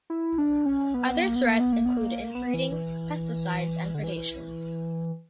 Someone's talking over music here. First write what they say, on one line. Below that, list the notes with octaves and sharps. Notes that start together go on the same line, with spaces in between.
Other threats include inbreeding, pesticides and predation.
E4
D4
C#4
B3
A#3
B3
A#3
B3
A#3
B3
A#3
B3
E3
E3
D3
E3